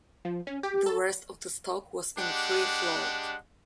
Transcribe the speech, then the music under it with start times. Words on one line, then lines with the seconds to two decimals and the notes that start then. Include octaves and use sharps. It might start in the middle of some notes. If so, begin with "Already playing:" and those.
The rest of the stock was in free float.
0.25 F3
0.47 C#4
0.63 G4
0.86 A4
2.18 G#3 D4 G4 F#5